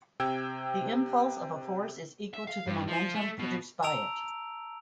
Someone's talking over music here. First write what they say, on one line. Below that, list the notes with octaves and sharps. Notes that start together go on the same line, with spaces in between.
The impulse of a force is equal to the momentum produced by it.
C3 G5 E6 G#6
E5
F5
G2
F3
A3
B2
A5 A#5 E6 D7 F7